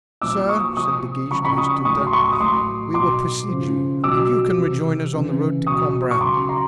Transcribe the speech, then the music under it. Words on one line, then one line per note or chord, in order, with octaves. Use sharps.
"Sir," said De Guiche to his tutor, "we will precede you, and you can rejoin us on the road to Cambrin."
A#2 F3 D6 E6
C#6 D#6
C3 F3 C#6 D#6
C#3 F3 B5 C#6
B5 C#6
C#6 D#6
A2 F#3 C#6 D#6
C6
B5 C#6
D#6
A2 F#3 C6 D6
B2 F#3 C6 D6
C#3 F3
B2 F#3 D6 E6
C3 E3
C#3 E3
B2 F#3 C#6 D#6
C#6
C#3 F#3 C6 D6
A#5 C6